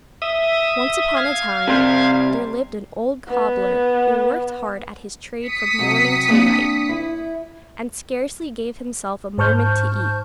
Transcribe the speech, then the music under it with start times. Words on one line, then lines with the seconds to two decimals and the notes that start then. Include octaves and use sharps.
Once upon a time there lived an old cobbler who worked hard at his trade from morning till night, and scarcely gave himself a moment to eat.
0.22 E5 D#6
1.17 F5 G#6
1.68 C3 G3 C5
3.28 B3
5.45 D#6 B6 C#7
5.79 C3 F#3
6.28 A#3 C4 D4
6.89 E4
9.38 G#2 C5 A5 C#6 F6 G6